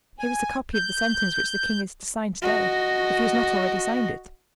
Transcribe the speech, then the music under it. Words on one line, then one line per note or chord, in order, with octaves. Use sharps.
"Here is a copy of the sentence which the king is to sign to-day, if he has not already signed it."
G#5
G6
F#4 D#5